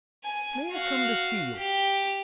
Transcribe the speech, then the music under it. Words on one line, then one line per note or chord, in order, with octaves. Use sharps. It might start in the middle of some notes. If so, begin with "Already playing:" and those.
May I come to see you?
G#5
F#4 F5
G4